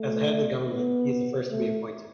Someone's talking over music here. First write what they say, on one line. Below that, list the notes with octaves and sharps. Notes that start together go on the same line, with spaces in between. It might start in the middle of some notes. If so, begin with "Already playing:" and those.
As the head of government, he is the first to be appointed.
Already playing: A3
B3
A3